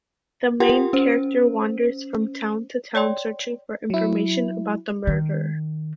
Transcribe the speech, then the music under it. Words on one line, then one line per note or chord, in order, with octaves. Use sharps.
The main character wanders from town to town searching for information about the murderer.
F4 G4 A#4 F#5 G5 C6
C#4 C5
C#5 D5 G5 C6
F#3 E4
D#3